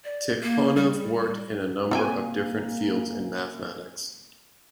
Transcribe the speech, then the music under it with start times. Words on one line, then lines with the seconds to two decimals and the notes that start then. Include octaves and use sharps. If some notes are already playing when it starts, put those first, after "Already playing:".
Tikhonov worked in a number of different fields in mathematics.
0.04 D5
0.43 A#3
0.76 G3
1.91 C3 A#3 F4 E5 G5 G#5